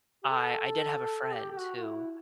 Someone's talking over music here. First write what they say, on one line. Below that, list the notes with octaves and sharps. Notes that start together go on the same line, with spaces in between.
I I did have a friend who
G4
A4
G4
G4
F#4
F#4
E4